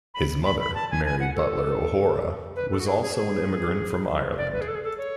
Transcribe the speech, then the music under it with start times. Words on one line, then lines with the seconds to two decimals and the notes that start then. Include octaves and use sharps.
His mother, Mary Butler O'Hora, was also an immigrant from Ireland.
0.14 B5
0.45 B5
0.60 B5
0.75 A5
0.91 G#5
1.05 G#5
1.20 F#5
1.35 A4
2.56 B4
2.71 A4
2.80 F#4
2.86 G#4
3.01 G#4
3.17 G#4
4.37 D5
4.53 B4
4.61 G#4
4.68 A4
4.75 G#4
4.83 A4
4.98 C#5